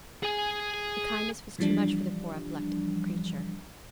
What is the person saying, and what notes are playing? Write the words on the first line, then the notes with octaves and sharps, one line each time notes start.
The kindness was too much for the poor epileptic creature.
G#4 G#5
E3 F3 G3 D4